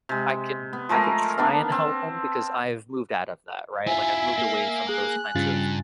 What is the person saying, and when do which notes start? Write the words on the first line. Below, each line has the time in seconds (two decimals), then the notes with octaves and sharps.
I can I can try and help 'em because I've moved out of that, right? Like, I've moved away from those kinds of
0.09 C3 G#3
0.73 B3
0.89 F3 G#3 A3 A#4
1.38 A#3 B3 D4 F5
1.70 B3 C4
3.87 E4 F4 E5 G#5
4.38 A#3
4.89 G#4 F#6
5.36 G2 C#3 F4 A6